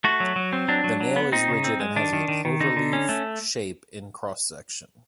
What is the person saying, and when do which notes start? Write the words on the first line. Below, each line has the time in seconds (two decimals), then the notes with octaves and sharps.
The nail is rigid and has a cloverleaf shape in cross-section.
0.04 A3 F#4
0.20 F#3
0.36 F#3
0.53 C4
0.68 F#3 D4
0.84 F#3
1.00 F#3
1.16 B3
1.32 C4 D#4
1.48 C#3
1.64 C4
1.80 G#3
1.96 D#3 D4
2.13 D#3
2.28 D#3
2.45 D#3
2.60 D3 D#4
2.76 D3
2.93 C#4
3.09 A3